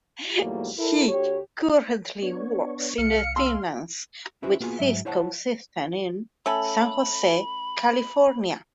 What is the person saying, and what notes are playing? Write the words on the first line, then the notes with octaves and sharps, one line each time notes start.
He currently works in Finance, with Cisco systems in, San Jose, California.
E2 G#2 F#3 G3 A3 A#3
E4 A4 A#4
D2 G4 C#5
B3 D4 C#5
C2 F5 C#7
C6 E6
C#4 E4 F#4 G#4 B4 C5
A#3 B3 F4 F#4 G#4
G#2 F#3 E5
E4 C5 C#5 F#5 A5
A3 C#4 A4 B5